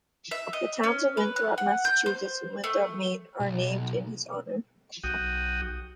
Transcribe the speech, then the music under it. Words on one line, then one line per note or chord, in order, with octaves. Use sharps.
The towns of Winthrop, Massachusetts and Winthrop, Maine are named in his honor.
E5
D#5
C#4
B4
F#6
F#5
G6
C5
A3
B1
B1 F#4 G5 D#6